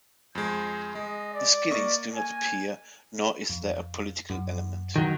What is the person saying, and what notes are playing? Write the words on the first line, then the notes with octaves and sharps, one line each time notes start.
The "Skinnies" do not appear, nor is there a political element.
F2 G#3 G6
G#3 D#5
D5
A#3 D#5 C#6
G#5
F2
F#2
D#3 F#3